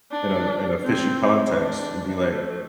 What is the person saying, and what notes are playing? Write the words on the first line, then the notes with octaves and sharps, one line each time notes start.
in a in a fishy context and be, like,
D4
C4
D4
A3